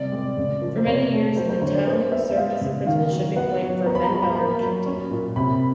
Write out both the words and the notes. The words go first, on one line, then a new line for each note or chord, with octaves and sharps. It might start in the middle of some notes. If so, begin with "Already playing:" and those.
For many years, the town served as the principal shipping point for Menard County.
Already playing: C3 G3 D5
G#3
C#3
F3
C5
C3 C#5
A3
F#3 C5
C5
D3 C#5
D5
B3 C5
B3 E5
E5
G#3 F5
C#3
D#3 F5
F#3
B3 F#5
F#3
B3 A#5
B5
A#5
F3 B5
A#5
A#3 B5
F#3
C#4
A#2
C3 B5